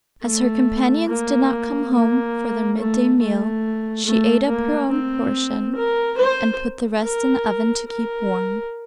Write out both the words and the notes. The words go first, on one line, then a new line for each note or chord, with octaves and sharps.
As her companions did not come home for their mid-day meal, she ate up her own portion and put the rest in the oven to keep warm.
A3
A#3
A#3
A3
A3
A3
A#3
C4
A#4
C5
A#4
A#4